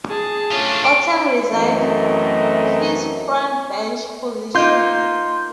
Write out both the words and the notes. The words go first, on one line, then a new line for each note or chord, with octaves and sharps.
Oaten resigned his frontbench position.
G#4 A5
A3 C#4 D4 F4
F#2 E3 A3 C4 A#4 D#5
A#3 D#4 F4 C6 G6